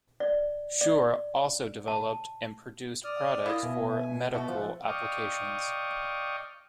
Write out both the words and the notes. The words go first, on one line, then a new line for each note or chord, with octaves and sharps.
Shure also developed and produced products for medical applications.
D5
D5
A5
D5 D#6 F6
E4 F4 A#4 D#5
B2 E5 G#5
B2 A3 F#4 E5
F3 F#5
D5 D#5 F5 G5 C#6